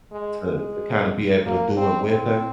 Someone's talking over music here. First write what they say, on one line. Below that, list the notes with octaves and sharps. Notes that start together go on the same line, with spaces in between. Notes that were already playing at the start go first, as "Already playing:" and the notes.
to to kinda be able to do it with her,
G#3
G#3
A#3
C4
C4